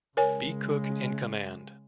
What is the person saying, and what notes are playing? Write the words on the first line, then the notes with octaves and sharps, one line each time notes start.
B. Cook in command.
C#3 G#3 A#4 C#5 G#5